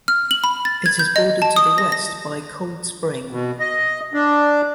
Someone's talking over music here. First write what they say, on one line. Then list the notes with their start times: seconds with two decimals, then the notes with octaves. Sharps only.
It is bordered to the west by Cold Spring.
0.08 F6
0.31 F#7
0.44 B5
0.65 A6
0.86 G#6
0.99 G6
1.16 D#5
1.42 A5
1.56 D#6
1.78 A#6
1.92 A#6
3.31 B2
3.60 D#5
4.14 D4